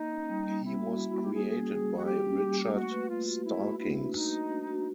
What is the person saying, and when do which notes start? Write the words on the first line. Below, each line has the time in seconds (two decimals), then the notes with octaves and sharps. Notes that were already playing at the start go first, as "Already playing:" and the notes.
He was created by Richard Starkings.
Already playing: A#3 D#4
0.12 C#4
0.29 G3
0.46 A#3
0.64 G3 E4
0.82 F#4
0.98 A#3
1.11 F#4
1.16 A#3
1.22 G4
1.33 A#3 G#4
1.51 C#4
1.69 G3
1.86 G3
1.96 F#4
2.04 G3 G4
2.21 C#4
2.40 G3
2.57 A#3
2.73 A3 F#4
2.91 B4
3.09 F4 B4
3.26 F#4
3.44 E4 F#4
3.61 F#4
3.79 D4 E4
3.96 F#4
4.14 D#4 F#4
4.31 F#4
4.49 D4
4.67 F#4